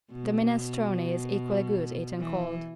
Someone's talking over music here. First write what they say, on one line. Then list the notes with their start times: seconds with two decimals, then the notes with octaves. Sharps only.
The minestrone is equally good eaten cold.
0.12 B2
2.19 E3